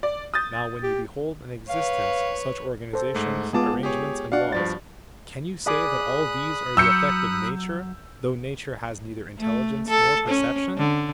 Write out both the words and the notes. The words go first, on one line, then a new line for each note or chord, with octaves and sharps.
Now, when you behold in existence such organizations, arrangements and laws, can you say that all these are the effect of Nature, though Nature has neither intelligence nor perception?
D5
D#6 G6 A6
G4
B4 C#5 F5
A4 C5
G#2 A3
G#3 B3 F4 G#4 A5 D6
G4 G#4 C#5
D4 F#4 D5 F5 F#5
G2 F3 A6
G#4 D5 B5 D#6 F#6
F#3 E6 G6 C#7
A3
A4
C#4
D3